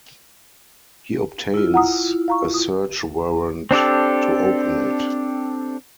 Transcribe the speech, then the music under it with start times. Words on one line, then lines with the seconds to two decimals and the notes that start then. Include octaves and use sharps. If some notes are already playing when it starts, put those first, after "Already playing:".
He obtains a search warrant to open it.
1.54 E4 F4
1.74 F#5 A#5 D#6
2.28 F5 A#5 C#6
2.54 D#6
3.71 C4 D4 G4 A4